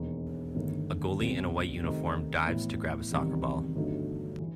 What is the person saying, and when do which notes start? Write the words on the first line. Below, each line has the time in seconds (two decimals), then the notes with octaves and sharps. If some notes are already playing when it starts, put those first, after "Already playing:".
A goalie in a white uniform dives to grab a soccer ball.
Already playing: E1 D#2 D#3
0.55 G1 G2 D#3 A3
1.19 C2 B2 F#3 C4
1.83 C3 D#3 A3 C4 D#4
2.47 A2 E3 B3 E4
3.11 E2 C3 D#3 G3
3.76 G1 G2 F#3 A3 D#4
4.40 E3